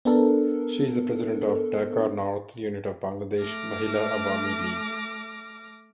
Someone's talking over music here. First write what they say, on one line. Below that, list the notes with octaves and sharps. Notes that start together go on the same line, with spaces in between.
She is the President of Dhaka North unit of Bangladesh Mahila Awami League.
B3 D4 A4 A#4
A3 D6 F6 A#6